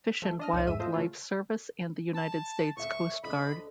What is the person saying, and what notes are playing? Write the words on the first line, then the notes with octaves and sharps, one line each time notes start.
Fish and Wildlife Service and the United States Coast Guard.
F3 A3
D4 D#5 F6
C2 A2 D#4 C#5 D#7
E2 G#2 E5 D#7
A3 F4 C5 D#5 E5
C#3 A3 F4
A5
D2 E5 C#6
D2 D3 D#5 B5